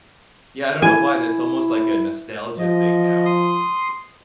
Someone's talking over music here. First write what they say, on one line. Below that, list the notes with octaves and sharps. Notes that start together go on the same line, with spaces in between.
Yeah I don't know why that's almost like a nostalgia thing now.
E4 G#5
F3 D#5
C6 D#6